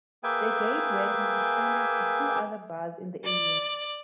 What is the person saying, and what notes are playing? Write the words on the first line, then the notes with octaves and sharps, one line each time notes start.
The G-A-Y brand has expanded to two other bars in the area.
A#3 G#4 B4 E5 G5 G#5
D5